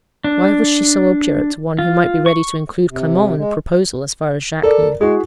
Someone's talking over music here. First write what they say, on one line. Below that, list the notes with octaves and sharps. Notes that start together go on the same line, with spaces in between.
Why was she so obdurate to one who might be ready to include Clement in the proposal, as far as Jacques knew?
D4
F4
C#6
C3
G#3
A4 A#4 D5
G#3 E4 F#4 G#4